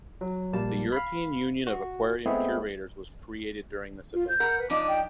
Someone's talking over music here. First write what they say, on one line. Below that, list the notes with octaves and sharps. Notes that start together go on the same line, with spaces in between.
The European Union of Aquarium Curators was created during this event.
F#3
A#1 G3 A#3 A5
F5 B5
F#4
G#3 A3 B3 C4 E4 G#4
F4
G6
A#4 F#5
B4
F3 D4 D#4 D6
G5